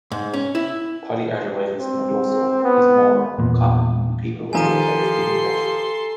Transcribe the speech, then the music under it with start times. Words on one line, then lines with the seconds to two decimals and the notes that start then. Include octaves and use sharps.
Polyarteritis nodosa is more common in people with hepatitis B infection.
0.12 G#2
0.34 C#4
0.55 E4
1.80 C4
2.64 B3
3.39 E2 A#2
4.53 D#3 F3 G4 A4 G#5 A#5 C6 D#7